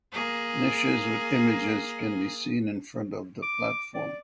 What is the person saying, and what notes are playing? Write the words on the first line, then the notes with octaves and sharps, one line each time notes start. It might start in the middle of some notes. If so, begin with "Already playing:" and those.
Niches with images can be seen in front of the platform.
A#3 G#4
D6
D5